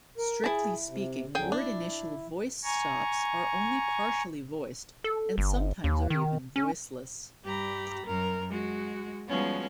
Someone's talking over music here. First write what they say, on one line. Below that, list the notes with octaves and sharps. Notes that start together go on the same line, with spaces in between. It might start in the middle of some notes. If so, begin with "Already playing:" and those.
Strictly speaking, word-initial voiced stops are only partially voiced, and sometimes are even voiceless.
A#4
E4 G#4 A5
C3
F2 D3 F#3 G#4 G5
D4 E4
G#5 A#5 C#6
A4
G1
D#2
D#3
C#4
G2 G3 G4 A#5 B5
F#2 A#4
G#3 F#4
F3 G3 G#3 B3 C#4 F#4